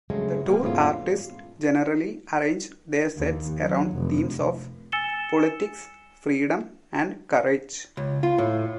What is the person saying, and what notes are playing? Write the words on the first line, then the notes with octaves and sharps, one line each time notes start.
The tour artists generally arranged their sets around themes of politics, freedom, and courage.
G2 C#3 F#3 G#3 A3
G3 G#3 A#3 B3
E2 G#2 B2 C#4 F4 A4
D#2
F#3
F1
G#5 E6 A6 C#7 E7 G7
C#2
F4
A2